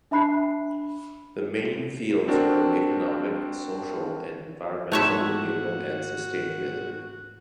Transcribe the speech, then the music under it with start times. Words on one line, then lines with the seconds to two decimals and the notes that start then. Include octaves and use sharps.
The main fields were economic, social, and environmental renewal and sustainability.
0.11 D4 E5 A5 B5 F#6 C7
2.28 C4 D4 F#4 A#4
4.92 G#2 A3 F#4 G4 C#5 E5